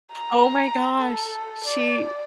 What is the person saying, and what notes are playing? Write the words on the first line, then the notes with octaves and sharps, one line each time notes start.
Oh my gosh, she
A#5
A4
D5